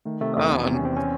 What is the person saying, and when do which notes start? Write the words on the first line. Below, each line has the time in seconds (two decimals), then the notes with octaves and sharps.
Oh n
0.06 D#3 A3
0.21 C3 A3
0.36 E2 A3
0.51 E2 B3
0.63 C3 C4
0.74 C#4
0.81 E2 C4
0.97 C4 C#4